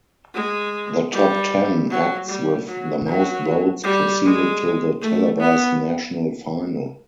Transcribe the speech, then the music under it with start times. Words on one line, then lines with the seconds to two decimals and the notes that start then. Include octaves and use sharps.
The top ten acts with the most votes proceeded to the televised national final.
0.34 G#3
1.12 G3
1.90 F#3
2.28 G3
2.67 F#3
3.06 F#3
3.84 G3
4.24 G#3
5.01 A3
5.40 B3